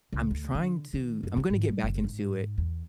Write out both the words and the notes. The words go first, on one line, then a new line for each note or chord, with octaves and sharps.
I'm trying to I'm gonna get back into it,
C#2
D2
D3
D#3
F#2
F4
G#2
G3
F#1
G#2
E2